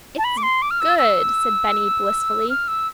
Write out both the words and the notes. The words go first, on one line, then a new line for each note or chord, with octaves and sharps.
"It's good," said Benny blissfully.
A5
B5
D6
C6
D6
F6
E6
E6
F6
E6